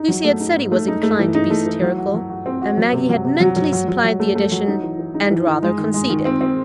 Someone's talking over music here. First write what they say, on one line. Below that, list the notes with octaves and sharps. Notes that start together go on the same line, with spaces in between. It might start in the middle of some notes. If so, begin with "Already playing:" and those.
Lucy had said he was inclined to be satirical, and Maggie had mentally supplied the addition, "and rather conceited."
Already playing: D#4
F#3
A3
D#4
G#2
A3
D#4
A3
E3
D#4
A3
E3
F#3
F#4
F#3
F#4
C4
F#4
F#3
C3
F#3
C3
F#3
F#3
F#3
F#3
F#3
A3
A3
F#3
D#4
E3
E3
D#4
E3
D#4
G#3
D#3
G#3
D#3
C4
C4